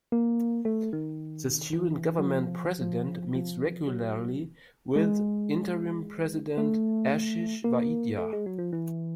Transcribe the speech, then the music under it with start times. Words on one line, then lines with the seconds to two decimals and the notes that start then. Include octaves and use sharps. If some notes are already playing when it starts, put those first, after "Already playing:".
The Student Government president meets regularly with Interim President Ashish Vaidya.
0.12 A#3
0.65 A3
0.93 D#3
1.73 E3
2.19 F#3
2.27 F3
2.81 F3
3.35 F3
3.88 F#3
4.96 G#3
6.58 A3
7.64 A#3
8.18 A3
8.33 G#3
8.46 F#3
8.59 F3
8.73 E3